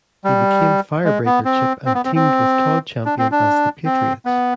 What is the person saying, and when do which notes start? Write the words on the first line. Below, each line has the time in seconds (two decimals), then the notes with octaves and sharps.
He became Firebreaker Chip and teamed with Todd Champion as The Patriots.
0.24 G3
1.05 G#3
1.26 B3
1.45 C4
1.86 C4
1.95 B3
2.05 C4
2.16 C4
3.05 D4
3.18 C4
3.32 D4
3.85 C4
4.26 B3